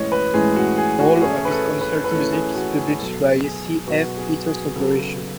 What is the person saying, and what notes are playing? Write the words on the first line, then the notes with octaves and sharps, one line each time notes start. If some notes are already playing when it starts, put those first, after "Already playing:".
All of his concert music is published by C. F. Peters Corporation.
Already playing: A2 E3 G#3 C#4 C#5 D#5
B4
A2 E3 G#3 C#4 G#4
F#4
G#4
F#4
A2 E3 A3 C#4 G#4
B4
A4
B4
B4
A2 E3 A3 C#4 A4
G#4
F#4
G#4
B2 F#3 B3 A4
G#4
B2 F#3 B3 F#4
G#4
G#4
C#3 F#3 B3 A4